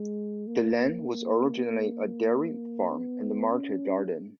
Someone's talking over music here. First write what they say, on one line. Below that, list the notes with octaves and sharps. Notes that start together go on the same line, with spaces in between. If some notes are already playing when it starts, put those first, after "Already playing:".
The land was originally a dairy farm and market garden.
Already playing: G#3
A#3
B3
C#4